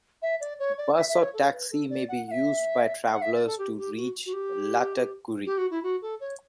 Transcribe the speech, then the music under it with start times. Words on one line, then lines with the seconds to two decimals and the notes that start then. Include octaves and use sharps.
Bus or Taxi may be used by travelers to reach lataqguri.
0.22 E5
0.40 D5
0.59 C#5
0.78 D5
0.97 E5
1.09 E5
1.21 C#5
1.33 A4
1.53 B4
1.71 A4
1.90 D5
2.09 F#5
2.27 F#5
2.31 E5
3.13 F#5
3.22 E5
3.34 D5
3.46 A4
3.58 G4
3.77 G4
3.96 F#4
4.26 F#4
4.33 G4
5.46 G4
5.57 F#4
5.71 E4
5.83 F#4
6.02 A4
6.20 C#5